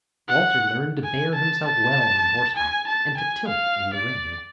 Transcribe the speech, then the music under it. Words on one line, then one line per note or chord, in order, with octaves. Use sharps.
Walter learned to bear himself well on horseback and to tilt in the ring.
F#5
G#5
A5
A5
G#5
A5
G#5
F5
D5